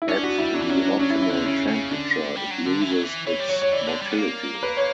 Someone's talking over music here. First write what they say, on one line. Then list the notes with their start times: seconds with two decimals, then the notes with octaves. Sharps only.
At the optimal temperature, it loses its motility.
0.02 E4
0.08 C#4 D4
0.23 B3 F#4
0.38 G3 E4
0.54 F#3 D4
0.62 E3
0.69 F#3 C#4
0.85 D4
0.99 F#3 C#4
1.10 E4
1.14 E3
1.22 E4
1.30 D3
1.45 C#3 C#4
1.68 C#3
1.90 D3 D4
2.35 G3
2.51 F#3
2.66 D3
2.81 E3
2.91 F#3
3.03 E3
3.26 E3 C#5
3.39 G3
3.49 F#3 C#5
3.62 C#5
3.72 E3 D5
3.87 D3
4.02 G3
4.11 B3
4.18 A#3
4.63 B4
4.77 C#5